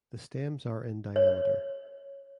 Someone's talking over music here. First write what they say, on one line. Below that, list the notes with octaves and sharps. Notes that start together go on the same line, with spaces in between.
The stems are in diameter.
C#5